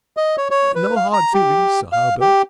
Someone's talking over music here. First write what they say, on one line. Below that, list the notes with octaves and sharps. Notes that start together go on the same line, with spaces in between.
"No hard feelings, Sir Hawerburch."
D#5
C#5
C#5
B4
F5
A#5
G4
F5
G4